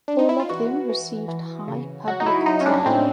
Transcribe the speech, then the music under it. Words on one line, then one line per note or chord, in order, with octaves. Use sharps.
All of them received high public acclaim.
D4
D#4
E4
F4
E3 F#4
E3
E3
C#3
F#3 F#4
D#4
E4
F#3 D#4
C#4
D4
A2 C4